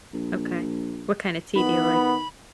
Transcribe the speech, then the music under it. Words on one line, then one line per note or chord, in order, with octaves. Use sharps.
Okay. What kinda tea do you like?
A#1
D#3 B3 B5